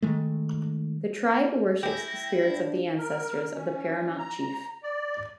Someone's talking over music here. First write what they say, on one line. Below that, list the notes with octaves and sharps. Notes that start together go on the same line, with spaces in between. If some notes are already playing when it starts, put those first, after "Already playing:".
The tribe worships the spirits of the ancestors of the paramount chief.
D#3 G#3 A3
E4 G4 G#4 G5 A#6
D4
A#4
C#4
A#5
D5